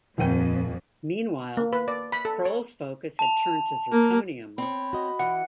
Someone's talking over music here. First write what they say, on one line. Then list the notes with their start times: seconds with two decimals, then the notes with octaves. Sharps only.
Meanwhile, Kroll's focus had turned to zirconium.
0.18 D#1 F2 F3 F#5 G5 D#7
1.57 A#3
1.73 B4
1.88 D5
2.12 B5
2.25 A4
2.45 C#5
3.19 A5 F7
3.91 A#3
4.58 C4 C#5 B5
4.93 F#4 D#5
5.19 E3 F#5